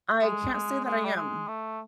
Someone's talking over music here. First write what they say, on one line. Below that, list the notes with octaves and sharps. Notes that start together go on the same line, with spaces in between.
I can't say that I am.
G#3
G#3
G#3
G3
G#3
A3